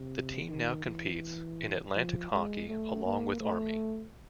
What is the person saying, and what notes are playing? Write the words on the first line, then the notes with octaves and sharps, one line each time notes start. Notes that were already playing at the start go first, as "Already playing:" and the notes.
The team now competes in Atlantic Hockey along with Army.
Already playing: C3
D#3
E3
F3
G#3
A3
A#3
A3